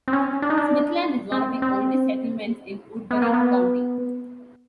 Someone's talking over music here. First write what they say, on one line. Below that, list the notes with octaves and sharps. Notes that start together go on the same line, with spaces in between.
Smithland is one of the oldest settlements in Woodbury County.
C4
C#4
D4
D#4
D4
C4
C4
B3
A#3
B3